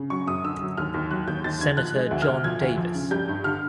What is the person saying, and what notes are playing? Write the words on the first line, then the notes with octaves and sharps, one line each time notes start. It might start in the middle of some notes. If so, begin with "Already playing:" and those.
Senator John Davis.
Already playing: C#3
F#3 C#6
F#2 D#6
D3 E6
F#3
D#2 F6
D#2
F#3 F#6
D#2 G6
D#2 A6
D3 G#6
F3 F#6
G#3
D2
F6
D2
F3 G#6
D2
F3
C#3
G3 G6
G2
D3 F6